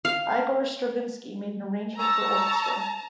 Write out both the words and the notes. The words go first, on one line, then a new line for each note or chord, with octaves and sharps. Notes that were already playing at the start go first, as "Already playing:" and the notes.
Igor Stravinsky made an arrangement for orchestra.
F5
A5 A#5 C#6 E6